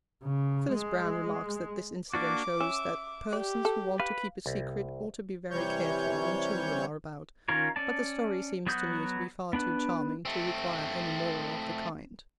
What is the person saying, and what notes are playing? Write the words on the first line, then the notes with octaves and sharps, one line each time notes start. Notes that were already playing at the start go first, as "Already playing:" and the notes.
Phyllis Browne remarks that this incident shows 'that persons who want to keep a secret ought to be very careful when children are about'; but the story seems to me to be far too charming to require any moral of the kind.
C#3
G#3
A#3 D4 F#4 D6
C#4 E5
G4 D5
A4
B4 F5
C2
C3 E3 G3 C#5 C#6 G6
D#3 C#4 F4 A#4 C#5
C#4 D5 A5
F#3 B3 F#4 D#6 G6
B3 D4 B4
A3 C4